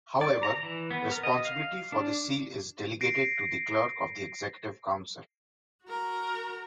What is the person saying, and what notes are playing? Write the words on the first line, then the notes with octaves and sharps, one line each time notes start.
However, responsibility for the seal is delegated to the Clerk of the Executive Council.
D5
A#5
E3
B3
A#4
D#5
F5
D4
A#6 C7 D7
F#4 A#4